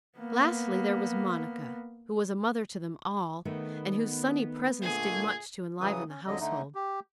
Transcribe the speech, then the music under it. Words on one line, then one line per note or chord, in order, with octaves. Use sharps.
Lastly there was Monica, who was a mother to them all, and whose sunny presence did much to enliven the household.
A#3 B3
D#3 A3 B3
A#2 D3 A3 G#4
C#3 E3 F#3 D#6
C#4
F2 D3 F#3 D#5
D3 A3 D#4
G4